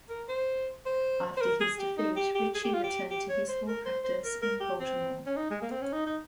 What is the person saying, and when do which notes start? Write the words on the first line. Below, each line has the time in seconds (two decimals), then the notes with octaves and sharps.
After his defeat, Ritchie returned to his law practice in Baltimore.
0.10 A#4
0.29 C5
0.86 C5
1.37 C5
1.41 A#4
1.60 G#4
1.79 G4
1.98 D#4
2.16 G4
2.35 G4
2.55 G#4
2.64 G4
2.73 F4
2.84 G4
3.10 G4
3.29 C#5
3.49 C5
3.68 A#4
3.86 C5
4.04 C5
4.24 A#4
4.42 A#4
4.60 G4
4.80 C4
5.26 C#4
5.37 D#4
5.51 G#3
5.62 A#3
5.71 C4
5.81 C#4
5.92 D#4
6.07 D#4